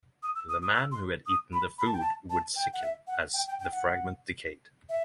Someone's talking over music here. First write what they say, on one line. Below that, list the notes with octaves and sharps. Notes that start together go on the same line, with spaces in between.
The man who had eaten the food would sicken as the fragment decayed.
D#6
E6
D#6
D#6
E6
C6
D#6
B5
B5
A5
G5
A5
A5
G5
F#5
E5
F#5
G5
G5
G5
F#5
E5